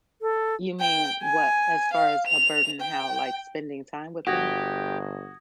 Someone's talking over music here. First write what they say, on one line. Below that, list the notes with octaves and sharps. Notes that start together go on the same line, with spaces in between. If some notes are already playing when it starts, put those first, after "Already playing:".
You mean what? As far as a burden, how? Like, spending time with them?
A4
G5
G#5
F5
F7
G5
G1 F#4 G4 D#6 G#6 A#6